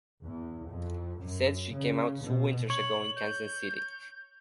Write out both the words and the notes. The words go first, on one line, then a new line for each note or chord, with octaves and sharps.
Said she came out two winters ago in Kansas City.
E2
F2
F#2
C#3
B2
C#5 F#7
G6